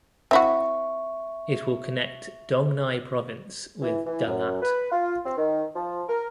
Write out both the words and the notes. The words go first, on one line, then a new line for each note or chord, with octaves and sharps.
It will connect Dong Nai Province with Da Lat.
C4 E4 F#4 E5 C#6
E3
E3
F#2
B4
F4
C4
D#3
F3
A#4